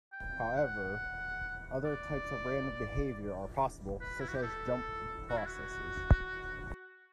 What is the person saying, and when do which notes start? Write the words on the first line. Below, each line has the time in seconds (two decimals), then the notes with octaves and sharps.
However, other types of random behaviour are possible, such as jump processes.
0.12 G5
0.56 F#5
1.85 D5
4.01 B4
4.21 E4
4.28 F#4
4.36 G4
4.43 A4
5.29 F#4
5.38 E4
5.46 F#4